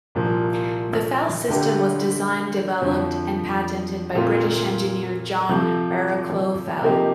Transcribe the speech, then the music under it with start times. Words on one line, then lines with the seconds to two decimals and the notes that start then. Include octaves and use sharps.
The Fell system was designed, developed and patented by British engineer John Barraclough Fell.
0.15 C2 A#2 F3
1.48 D2 D3 A3 D4 G4
2.82 F2 D3 F3
4.15 A#2 A3 C4 F4
5.49 C3 F3 A3
6.82 C3 F3 A#3 D#4 G4